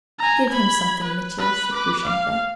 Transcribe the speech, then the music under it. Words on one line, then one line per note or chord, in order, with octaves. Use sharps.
"Give him something, Mitya," said Grushenka.
G#5 A#5
B5 G#6
B4
B4 B5
B4 D6
F5